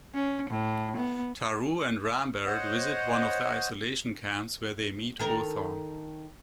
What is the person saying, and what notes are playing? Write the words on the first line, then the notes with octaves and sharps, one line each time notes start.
Tarrou and Rambert visit one of the isolation camps, where they meet Othon.
C#4
A2
B3
C5 C#5 D#5 F#5
D#3 A4 A#4